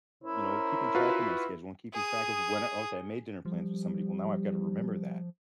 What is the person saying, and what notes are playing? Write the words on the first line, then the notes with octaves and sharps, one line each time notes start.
you know keeping track of my schedule and keeping track of when I okay, I made dinner plans with somebody, well, now I've got to remember that,
C#4 E4 A#4 C5
F4 F#4 B4
G#4 D#6
F3 G3